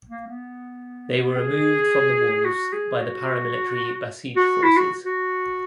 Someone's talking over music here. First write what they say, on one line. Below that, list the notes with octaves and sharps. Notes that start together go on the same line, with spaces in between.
They were removed from the walls by the paramilitary Basij forces.
A#3
B3
G#4
F#4
G#4
F#4
F#4
E4
F#4
F#4